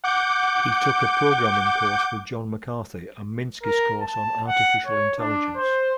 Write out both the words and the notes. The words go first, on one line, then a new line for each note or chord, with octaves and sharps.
He took a programming course with John McCarthy, and Minsky's course on artificial intelligence.
F#5 D6 G6
A#4
A5
F#5
C#5
D4
C5